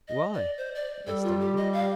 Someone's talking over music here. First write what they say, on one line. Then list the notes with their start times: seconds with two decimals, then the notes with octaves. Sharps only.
"Why?" asked Diamond.
0.08 D#5
0.34 D5
0.58 C5
0.75 D5
1.07 G3 A4
1.24 F4
1.40 G4
1.57 D#5
1.73 F5